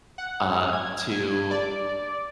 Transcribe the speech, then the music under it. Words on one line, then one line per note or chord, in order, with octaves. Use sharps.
uh, to
F#5
G#2
G#6
D5